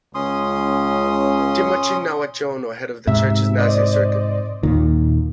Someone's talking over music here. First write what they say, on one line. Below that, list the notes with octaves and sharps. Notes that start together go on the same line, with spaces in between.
Timoci Nawaciono, head of the church's Nasea circuit.
C#2 C#4 C6 D#6
G#2 C3 E5
C5 D5 D#5
D#2 A#2 D#3